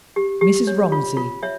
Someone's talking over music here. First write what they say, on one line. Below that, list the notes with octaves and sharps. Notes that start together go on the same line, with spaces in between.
Mrs. Romsey.
G4
G4
C#5
F4
F4
C#5 E5